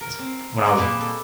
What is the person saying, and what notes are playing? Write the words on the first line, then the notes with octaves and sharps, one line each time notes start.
s when I was
A#4
C4
G#4 D5 D#5 F#5
A#2 G3 A#3 G#4 B4 A5
A4